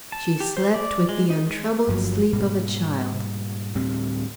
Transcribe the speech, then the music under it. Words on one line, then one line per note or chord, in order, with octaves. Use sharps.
She slept with the untroubled sleep of a child.
A5
G4
C5
D5
G#3
D#4
G#3
G1 G2 F3 F#3
G#2 B2 G3 A#3
D2 A2 G3 C4